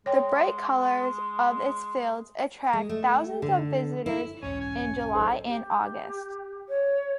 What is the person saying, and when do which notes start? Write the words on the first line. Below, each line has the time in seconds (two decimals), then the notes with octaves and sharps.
The bright colours of its fields attract thousands of visitors in July and August.
0.06 G#3 C#5 G5
2.73 G#3
2.89 A3
3.42 D3
4.06 E4
4.43 B1 E2 G#2 C#4 C#5
4.61 G#5
5.14 A1 F#3 D#4 A4 C5
5.47 G4
6.69 C#5